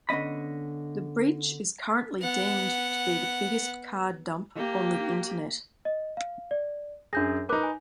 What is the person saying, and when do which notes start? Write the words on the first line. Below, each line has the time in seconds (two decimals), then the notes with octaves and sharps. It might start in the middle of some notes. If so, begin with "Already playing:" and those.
The breach is currently deemed to be the biggest card dump on the internet.
0.09 D3 B3 C#4 D#5 B5
2.21 B3 F#5
4.55 A#3 G4
5.85 D#5
6.17 F5
6.51 D5
7.13 F#2 D4 G#4 G6 A#6
7.49 D#4 A#4 B4 D6 F#6
7.63 G#5